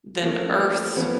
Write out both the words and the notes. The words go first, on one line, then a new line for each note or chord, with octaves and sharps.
than Earth,
F3 A3 A#3 C#4
F3 A3 B3 C#4